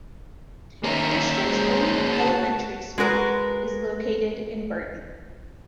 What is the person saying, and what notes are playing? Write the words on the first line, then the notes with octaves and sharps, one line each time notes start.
The district's only elementary school is located in Burton.
D#3 A#3 C#4 E5
G#3 G#4 C5
F#4 A5
G#3 F#4 A#4 B4